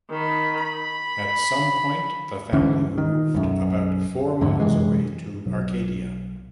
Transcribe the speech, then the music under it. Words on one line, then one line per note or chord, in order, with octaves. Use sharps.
At some point, the family moved about four miles away to Arcadia.
D#3 B5
B5
C#2 D3 E3 C#4
D#3
B1 F#2
F2 G#2 D3
F#2 C3 E3 G#3
B1